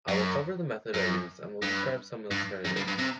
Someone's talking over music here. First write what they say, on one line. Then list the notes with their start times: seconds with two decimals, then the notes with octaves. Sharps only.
I will cover the method I use and will describe some alternatives.
0.08 F#2
0.94 F#2
1.62 G2
2.31 G2
2.65 F#2
2.77 G2
2.88 G2
2.99 C3